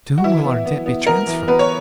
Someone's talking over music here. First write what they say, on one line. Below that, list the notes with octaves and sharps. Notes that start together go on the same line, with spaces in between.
"To whom will our debt be transferred?"
F#4
E3 E4
B3
B3
B3
B3 A#4
E3
B3 B4
C#5